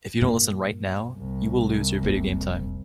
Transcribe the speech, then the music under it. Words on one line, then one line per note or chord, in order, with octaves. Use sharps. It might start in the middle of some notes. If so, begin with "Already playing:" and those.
If you don't listen right now, you will lose your video game time.
G2 A#2 A#3
C2
F1 C3 A#3